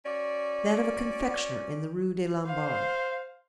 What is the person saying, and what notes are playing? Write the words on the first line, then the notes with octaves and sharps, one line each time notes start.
"That of a confectioner, in the Rue des Lombards."
C#4 F#4 D5
C5 F5